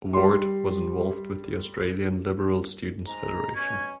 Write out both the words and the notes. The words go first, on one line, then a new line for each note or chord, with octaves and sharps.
Ward was involved with the Australian Liberal Students Federation.
G3 C6
G#2 A#5
B2 C#4 G#6